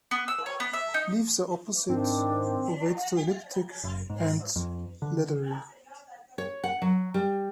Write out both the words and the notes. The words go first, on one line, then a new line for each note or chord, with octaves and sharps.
Leaves are opposite, ovate to elliptic, and leathery.
B3
E6
C#5
B3
E5
D#4
G#2 D#3 C4 D4
F#1
G#2
F2
D3
C#5
F#5
F#3
G3